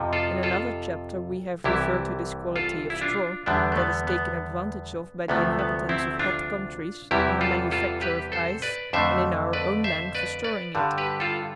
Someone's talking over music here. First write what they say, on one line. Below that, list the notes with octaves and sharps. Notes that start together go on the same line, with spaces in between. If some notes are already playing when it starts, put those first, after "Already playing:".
In another chapter we have referred to this quality of straw, that is taken advantage of by the inhabitants of hot countries in the manufacture of ice and in our own land for storing it.
Already playing: F2 C3 F3
F4 A4
F4 A4
C2 C3 E3 E4 G4
F4 A4
E4
D4 F4
E2 D3 G3 B3 D4
A3
B3
B3
D2 C3 F3 A3 B3
B3
C4 E4
D4 F4
E2 C3 E3 G3 E4 G4
F4 A4
F4 A4
G4 B4
A4 C5
B4 D5
F2 D3 A3 C5 E5
B4 D5
C5 E5
B4 D5
B4 D5
G2 D3 G3
G4 B4
F4 A4